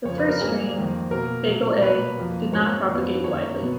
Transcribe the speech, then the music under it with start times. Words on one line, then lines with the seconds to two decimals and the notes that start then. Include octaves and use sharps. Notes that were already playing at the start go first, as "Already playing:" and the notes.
The first strain, Bagle.A, did not propagate widely.
0.05 F2 C#3 F3 C#5
0.18 B4
0.29 A#4
0.41 G#2 F#3 A#3 G#4
0.77 F2 D#3 A#3
1.11 B2 A#3 A#4
1.48 A#2 F#3 A#3
1.82 B2 F#3 A#3 B4
2.18 F2 F3 A#3
2.53 G#2 F#3 A#3 C#5
2.89 F2 F3 B3
3.24 F#2 D#3 A#3 C#5
3.60 B2 F#3 B3